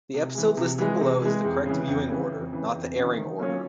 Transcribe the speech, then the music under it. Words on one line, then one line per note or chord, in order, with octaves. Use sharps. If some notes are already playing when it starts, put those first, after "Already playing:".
The episode listing below is the correct viewing order, not the airing order.
C3
E3 G#3
C3
E3 G#3
C3
E3 G#3
F2
C#3 E3
F2
C#3 E3
F2
C#3 E3
F2
C#3 E3
D#3
F#3 A#3 C#4 F4